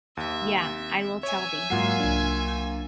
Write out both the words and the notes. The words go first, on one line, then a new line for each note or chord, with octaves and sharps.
Yea, I will tell thee.
D#2 E5
C#5 E5 G#5
G#2 F#3 A#3 F4 F#5 C7
C2 D4